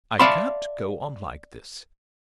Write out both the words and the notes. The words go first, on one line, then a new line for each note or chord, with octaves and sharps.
I can't go on like this.
D5 E5 F5 A5 B5 C6